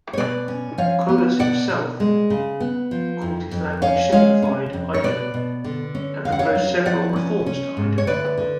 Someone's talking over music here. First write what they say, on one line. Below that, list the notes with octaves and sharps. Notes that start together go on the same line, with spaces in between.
Colas himself called his language "simplified Ido" and proposed several reforms to Ido.
C#5
B2 B4 D5
C#4
F3 C#5 F5
B3
B2 D5 F#5
B2
G#3
C#3
B3
F3
F2
F2
C#4 C#5 F5
G#3 C#5 F5
C#4
F2
C#5
B2 B4 D5
B2
D3
C#4
F2 F5
F#5
C#5 F5
F#3
F3 D5 F#5
C#4
C#4
G#2
C#5
D2 B4 D5
D3